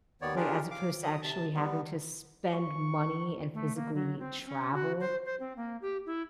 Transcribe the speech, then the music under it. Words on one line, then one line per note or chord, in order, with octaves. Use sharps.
Like, as opposed to actually having to spend money and physically travel?
D#2 D#3 B3 C#5 D5
C#4 D4 F4 G4 G#4 A#4
F5 D6
F#3 D#6
C3 A5
G3 B3
C#6
A3
A#3
F#3
C4
C#4
F#4
C5
C5
C4
A#3
G4
E4